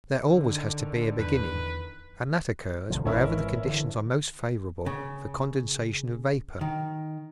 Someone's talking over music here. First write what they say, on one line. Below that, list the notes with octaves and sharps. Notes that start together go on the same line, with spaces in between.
There always has to be a beginning, and that occurs wherever the conditions are most favorable for condensation of vapor.
D3 D#3
E2 B4
B1 D3 F3
G#1 E3 C#4 E4 A#4
D3 E3
C#3
D#3